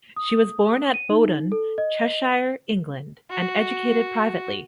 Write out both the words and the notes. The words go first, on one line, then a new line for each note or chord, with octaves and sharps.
She was born at Bowdon, Cheshire, England and educated privately.
D#6
D#7
D#4
A4
D#5
F#4